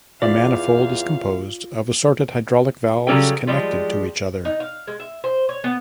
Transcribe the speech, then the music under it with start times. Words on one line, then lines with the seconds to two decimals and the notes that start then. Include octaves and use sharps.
A manifold is composed of assorted hydraulic valves connected to each other.
0.22 E2 F4 D5 F5
3.07 C#3 F#3 G3 C#4 A4 G5
3.47 F3 G3 G#3
4.45 D#4
4.60 F5
4.87 G#3
5.00 E5
5.24 C5
5.49 C#5
5.64 B3